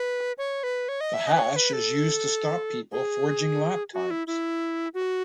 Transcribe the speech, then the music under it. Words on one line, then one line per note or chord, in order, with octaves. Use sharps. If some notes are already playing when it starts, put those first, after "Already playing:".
The hash is used to stop people forging lap times.
Already playing: B4
C#5
B4
C#5
D#5
E5
D#5
B4
C#5
B4
A4
G#4
F#4
E4
E4
F#4